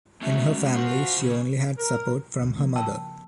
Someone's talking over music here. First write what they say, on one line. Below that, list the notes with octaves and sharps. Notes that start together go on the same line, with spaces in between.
In her family she only had support from her mother.
G#3 A3 C#4 F#4
F4 F#4 C5
C#3 G#4
A#4
D2 B2
C#3 F3 A#3
G5 A5 E6